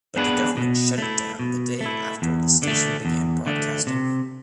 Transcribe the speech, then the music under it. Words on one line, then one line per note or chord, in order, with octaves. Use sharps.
But the government shut it down the day after the station began broadcasting.
B3 D4 G#4 B4
B2
A3 E4
B2
A3 E4
E2
D3 A3
E2
D3 A3
C3